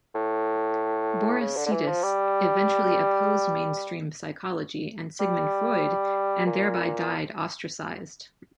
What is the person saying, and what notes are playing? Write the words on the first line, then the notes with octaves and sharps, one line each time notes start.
Boris Sidis eventually opposed mainstream psychology and Sigmund Freud, and thereby died ostracized.
A2
C#3
D3
D3
E3
F3
G3
G3
A#2